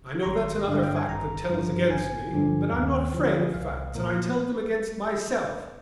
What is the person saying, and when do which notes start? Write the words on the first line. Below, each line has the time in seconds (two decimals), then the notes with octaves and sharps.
I know that's another fact that tells against me, but I'm not afraid of facts and I tell them against myself.
0.23 A#5
0.26 G#1 C6
0.59 D#5
0.67 G2 D3 F5
0.83 G5
0.96 G#5
1.09 G#1 A#5
1.50 G2 F3
1.90 G#1 G#5
2.31 G2 D3 F3
2.72 D#2
3.14 D3 F3
3.54 C2 F5
3.95 A#2 F3 A#4